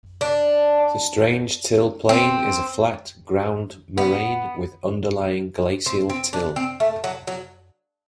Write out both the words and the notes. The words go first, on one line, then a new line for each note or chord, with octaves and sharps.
The Strange Till Plain is a flat ground moraine with underlying glacial till.
D4
C4
B3
C4
C4
D4
C4
A3
F#3
F#3